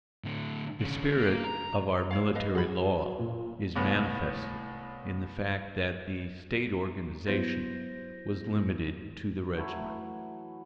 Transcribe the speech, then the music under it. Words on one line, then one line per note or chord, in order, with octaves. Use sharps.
The spirit of our military law is manifested in the fact that the State organization was limited to the regiment.
A2 D3
D3 C#4
A#3
A#5
E4 C#5 F5
B4 D#5 F5
F#3 G#4 B5
A#2
C2 A2 B3
F#3 B3 E4 C5 G6 A#6
E3 F#3 A3 E4